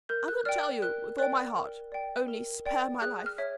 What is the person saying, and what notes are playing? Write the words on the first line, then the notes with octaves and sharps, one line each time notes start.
"I will tell you, with all my heart, only spare my life!"
A#4 G6
F#6
D5 G5 F6
A#4 F#6
D5 G5 F#6
A#4
D5 G5
A#4
D5 G5
G#4 F#6
F6
C#5 E5